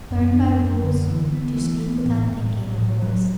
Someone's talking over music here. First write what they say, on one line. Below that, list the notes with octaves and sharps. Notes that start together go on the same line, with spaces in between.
Learn by rules to speak without thinking of rules.
F#2
D4
F#2
D3
E3
B3
E3
B3
A2
A2
A2
A2
F#3